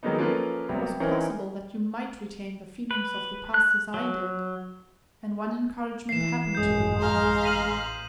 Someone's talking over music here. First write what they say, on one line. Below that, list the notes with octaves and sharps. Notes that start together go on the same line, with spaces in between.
It was possible that you might retain the feelings of the past, as I did; and one encouragement happened to be mine.
D#3 F#3 G#3 A#3 B3 D#4
F3 A#3 C#4 F4 A4 B4
C3 F#3 G3 B3
E3 C#4 D#4 A#4 C5
B4
F#6
F#3
E3 C7 E7
G#1 F#2 A2 G#3 D#6 G6
A1 F5 A#5 C6
B6 D#7 F#7